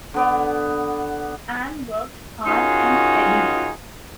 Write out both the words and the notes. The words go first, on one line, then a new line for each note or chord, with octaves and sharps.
Anne worked hard and steadily.
D3 B3 D5
D#3 C#4 D#4 F4 F#4 G#4